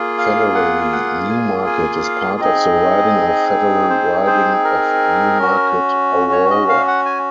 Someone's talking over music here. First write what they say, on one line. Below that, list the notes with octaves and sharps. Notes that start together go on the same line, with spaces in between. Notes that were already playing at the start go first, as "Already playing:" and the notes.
Federally, Newmarket is part of the riding of federal riding of Newmarket-Aurora.
Already playing: A#3 F4 G#4
F5
F#5
F#5
G#5
G#5
F5
C4 D#4 G#4 D#5
C5
C5
A#4
C#4 F#4
C#5
D#5
F5
F#5
G#5